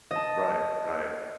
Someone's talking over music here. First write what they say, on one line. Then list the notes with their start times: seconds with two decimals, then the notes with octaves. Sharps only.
Right, right.
0.11 D#5 A5